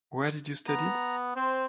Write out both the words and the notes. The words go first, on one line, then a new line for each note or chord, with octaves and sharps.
Where did you studied?
B3 A#5
C4 C5